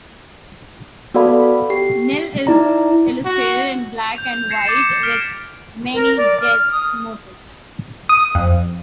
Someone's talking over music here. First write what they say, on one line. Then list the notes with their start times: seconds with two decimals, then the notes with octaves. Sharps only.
"Nil" is illustrated in black and white with many death motifs.
1.14 B3 F#4 A4 D5 F5 B5
1.70 G4 C7
2.47 D#4 E4 D5 A#5
3.25 F#4
4.15 G6 F7
4.49 G#6 A#6 C7 C#7 E7
4.66 D6 G6 A6 C#7 E7
5.03 F6 B6 D7
5.94 A#4
6.17 D5
6.40 F6
6.72 D#6
8.09 D#6
8.35 F2